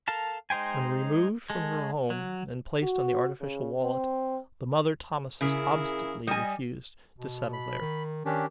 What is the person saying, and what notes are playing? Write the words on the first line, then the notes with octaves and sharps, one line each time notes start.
When removed from her home and placed on the artificial wallet, the mother Thomisus obstinately refused to settle there.
A4 A#4 F5 A5
G#3 D#4 C5 G5 G#5
G#3 A4
F#3
F#4
C#3
C4
C#3 E4 G#4 A#4
G3 D#5 G#5
B2
B5
D#3
D#3 C#4 D4 G4